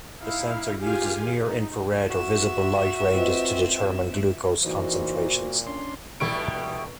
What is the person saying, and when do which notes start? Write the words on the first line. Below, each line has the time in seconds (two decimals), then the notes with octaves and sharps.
The sensor uses near-infrared or visible light ranges to determine glucose concentrations.
0.20 D#4 E4 F5
0.79 F4 G4 G#4 F5 G#5
1.39 D#4
2.10 F#4 E5 E7
3.14 C4 F4 B4 D#5
4.65 A#2 E3 D#4 F#4 C5
5.67 C#4 D4 C6
6.20 F1 B2 G3 E4 C#6 D7